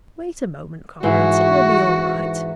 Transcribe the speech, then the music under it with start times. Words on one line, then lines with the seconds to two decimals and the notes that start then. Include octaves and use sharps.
'Wait a moment, comrades, it will be all right.
1.03 G#2 E3 E4 F#4